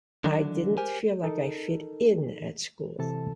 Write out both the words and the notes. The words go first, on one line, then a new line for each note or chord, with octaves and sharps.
I didn't feel like I fit in at school.
D3 E3 F#3 D4
G4 A#4 C5 G#5
D#4 A4 A#4
C3 E3 A4 A5